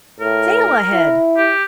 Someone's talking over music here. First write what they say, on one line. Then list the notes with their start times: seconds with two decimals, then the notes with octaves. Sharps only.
"Sail ahead!"
0.20 A2 A#4
0.92 E4
1.37 G4